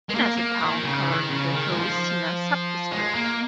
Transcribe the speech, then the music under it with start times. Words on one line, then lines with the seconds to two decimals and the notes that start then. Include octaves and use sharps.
Sena is a town covering the whole Sena sub-district.
0.09 G#3
0.15 A#3
0.37 A#3
0.61 D#3
0.84 C#3
1.07 D#3
1.30 C#3
1.53 D#3
1.71 G#3
1.76 F3
2.92 G#3
3.15 A#3